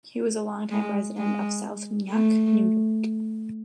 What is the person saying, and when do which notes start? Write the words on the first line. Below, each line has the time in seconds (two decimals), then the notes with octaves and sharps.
He was a longtime resident of South Nyack, New York.
0.71 G#3
1.17 G#3
2.09 A3